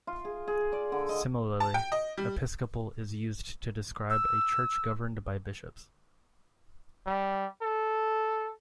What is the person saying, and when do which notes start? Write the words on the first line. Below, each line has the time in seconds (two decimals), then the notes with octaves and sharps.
Similarly, "episcopal" is used to describe a church governed by bishops.
0.07 F4
0.25 G#4
0.48 G#4
0.73 D5
0.92 D3
1.09 D#5
1.60 A5
1.74 G5
1.92 D#5
2.17 G3
4.10 E6
7.07 G3
7.63 A4